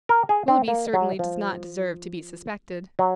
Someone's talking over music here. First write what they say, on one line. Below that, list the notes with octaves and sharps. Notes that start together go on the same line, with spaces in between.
Willoughby certainly does not deserve to be suspected.
A#4
G#4
C4
A#3
F#3
F3
F#3